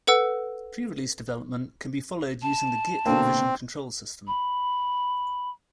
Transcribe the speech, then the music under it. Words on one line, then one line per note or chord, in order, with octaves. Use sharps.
Prerelease development can be followed using the git revision control system.
A4 B4 F#5 E6
A5
B2 D3 A#3 C4
B5